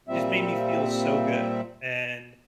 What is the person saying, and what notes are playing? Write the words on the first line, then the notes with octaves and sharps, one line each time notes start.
just made me feel so good. And
A#2 G3 C4 E5